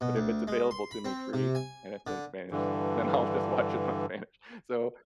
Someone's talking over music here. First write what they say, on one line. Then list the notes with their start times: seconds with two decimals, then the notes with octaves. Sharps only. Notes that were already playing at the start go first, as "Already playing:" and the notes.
but if it's available to me free and it's in Spanish, then I'll just watch it on Spanish. So
0.01 B2
0.16 D2
0.47 G#3
0.71 C6
0.91 B5
1.05 C4
1.33 C3
1.55 G#5
2.07 D3
2.52 G2 D3 E3